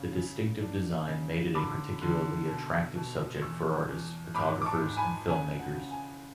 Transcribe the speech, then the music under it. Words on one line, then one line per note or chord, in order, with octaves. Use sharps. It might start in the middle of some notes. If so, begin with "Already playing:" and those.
The distinctive design made it a particularly attractive subject for artists, photographers and film-makers.
Already playing: C#3
C#3
D4
C#3
D3 B5 D6
D3
B2
B2
E2 C#6 E6
E2
G#2 B5 D6
D6
A5 C#6
G#2
G#5 B5
C#3 G#5
F#5
C#3
G#5